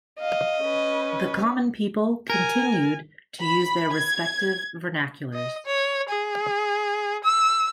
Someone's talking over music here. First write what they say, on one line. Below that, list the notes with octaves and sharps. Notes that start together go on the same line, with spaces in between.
The common people continued to use their respective vernaculars.
D#5 F5
C#4 B4
A#4 G#5
B5
G#6
D#5
C#5
G#4
E6